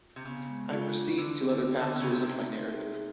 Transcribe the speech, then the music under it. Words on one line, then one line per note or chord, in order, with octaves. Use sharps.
I proceed to other passages of my narrative.
C3
C#3 B3
G#3
C#3 F4
D4
D3 D4
B3
D3
D4
D3
B3
C#3
C3 D#4
E5
D#4
G#4